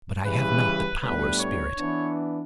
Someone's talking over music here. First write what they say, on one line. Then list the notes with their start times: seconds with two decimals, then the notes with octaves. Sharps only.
But I have not the power, Spirit.
0.24 C#3 E3 G3 B4
1.02 A2 G3 B3 D4 B4
1.39 C#5
1.78 E3 B3 D4